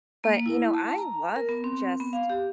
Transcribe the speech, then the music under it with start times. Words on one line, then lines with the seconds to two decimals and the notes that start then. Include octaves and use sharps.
But, you know, I love just
0.24 A#3
0.46 E4
0.74 A5
0.98 A#5
1.36 A#4
1.49 B3
1.64 C4
2.00 B3
2.13 F5
2.30 G4